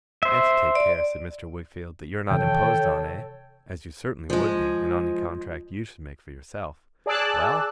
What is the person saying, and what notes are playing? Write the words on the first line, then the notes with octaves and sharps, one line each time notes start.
'And to take care,' said Mr. Wickfield, 'that you're not imposed on, eh? As you certainly would be, in any contract you should make for yourself. Well!
C5 E5
D5
C3 D#3 E3 A4 C#5 G5
F3 G#3
G#4 D5 A5 E6 F#6